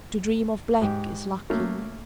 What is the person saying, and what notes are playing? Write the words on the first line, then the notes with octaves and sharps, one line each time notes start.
To dream of black is lucky.
G#2 G4
F#3 A3 A#3 C#4